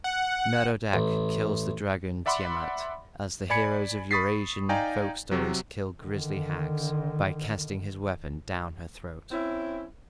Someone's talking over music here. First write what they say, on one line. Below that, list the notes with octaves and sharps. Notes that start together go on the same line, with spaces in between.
Merodach kills the dragon, Tiamat, as the heroes of Eur-Asian folk stories kill grisly hags, by casting his weapon down her throat.
F#5
A1
D5 E5 F#5 B5 C6 D6
D5 G#5 B5 G#6 C#7
B5 C#6 D#6 A6 B6 C7
D#4 D5 F5 G5 G#5 A#5
C3 F#3
D3 D#3
C4 C#4 E4